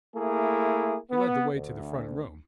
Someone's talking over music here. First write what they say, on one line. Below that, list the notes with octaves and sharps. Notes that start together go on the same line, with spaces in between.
He led the way to the front room.
A3 A#3 E4 G#4
B3
D2